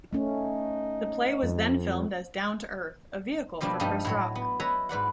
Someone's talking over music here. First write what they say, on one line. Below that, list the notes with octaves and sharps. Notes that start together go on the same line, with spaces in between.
The play was then filmed as "Down to Earth", a vehicle for Chris Rock.
A3 C#4 D#4
F2
B2 F3 G3 A#3 D4
G2 F3 G3 A3 D#4
A2 F#3 C#5
B3
B4 C#5 D#5 E5 A#5
G#2 B4 D5 F#5